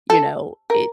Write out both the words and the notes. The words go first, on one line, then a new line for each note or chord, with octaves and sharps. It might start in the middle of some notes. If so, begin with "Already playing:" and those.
you know, it
A4
A#4